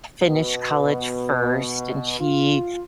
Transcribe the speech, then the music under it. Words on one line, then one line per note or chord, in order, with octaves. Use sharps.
finished college first, and she
B2
F4